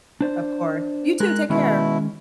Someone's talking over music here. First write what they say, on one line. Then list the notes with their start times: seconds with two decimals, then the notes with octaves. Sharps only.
Of course. You too. Take care.
0.21 D4 C5 D5
1.20 G#3 A#4 F#6
1.50 B2 D#3 G#3 C#4 E4